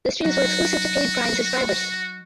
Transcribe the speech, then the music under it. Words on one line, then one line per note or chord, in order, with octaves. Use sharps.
The streams were exclusive to paid Prime subscribers.
F#3 D#4 F#4